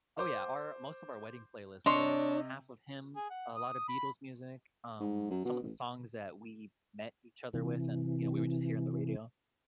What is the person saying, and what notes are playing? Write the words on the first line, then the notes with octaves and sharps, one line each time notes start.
Oh, yeah, our most of our wedding playlist was half of him, a lot of Beatles music, um, some of the songs that we met each other with, and, you know, we would just hear on the radio,
C5 D6
C3 D4 C#5 D#5 C6
G#4
F#5
D#6
B5
G#2
F#2
B2
A1
C3 E3